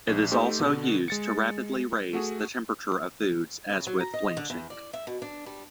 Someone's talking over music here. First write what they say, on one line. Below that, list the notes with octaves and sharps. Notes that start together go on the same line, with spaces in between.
It is also used to rapidly raise the temperature of foods, as with blanching.
A#1
A3 D#4 G4 C5
B2 D3
G#3 A6 C#7
A3 F#4 G#4
C#3
F#3
A#5
D#5
D3
E2
D5
E5
B2
D4
G3